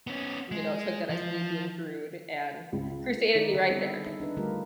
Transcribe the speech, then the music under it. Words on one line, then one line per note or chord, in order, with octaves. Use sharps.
you know, took that as me being rude and crusaded me right there.
B3 C#4
G#3
F3
C#2
D#3 D#4 E4 D5
D3 G#4 A4
G3 B3 C4 E4 A4
D#4 E5
D4 D#4 B4
D3 G3 A3 F4 G4 A#4